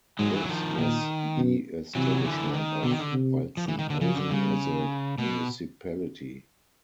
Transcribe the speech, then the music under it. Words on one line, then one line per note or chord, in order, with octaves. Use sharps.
This was the establishment of Walzenhausen as a municipality.
G#2 F#3 G#3
E3 F#3
D#3 F3
A#2 D#3
B2
C3 E3 F#3
D#3
D3 E3
D#3
B2 D3
D#3
D3
C3
F3
E3
D#3
D3
C#3 F3
D3
C#3 G3
B2 A3